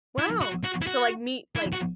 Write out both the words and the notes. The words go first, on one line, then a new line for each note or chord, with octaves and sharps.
wow. So like meet like
E4
F#4
F#4
E4
F#4
E4
F#4